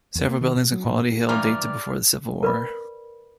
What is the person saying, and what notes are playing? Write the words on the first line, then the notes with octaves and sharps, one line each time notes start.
Several buildings on Quality Hill date to before the Civil War.
E2
A#3
D#3
B2
F#3
A2
G2 E3 G3 D5 A#5 F6
A#4 B4 D5 B5